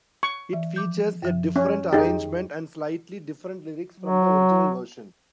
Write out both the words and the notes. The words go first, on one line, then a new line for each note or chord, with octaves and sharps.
It features a different arrangement and slightly different lyrics from the original version.
C#6
E3 E5
F3 D6 G6
F#2 F3
C#4
F2 D#4 G4 G#4 A6
F#3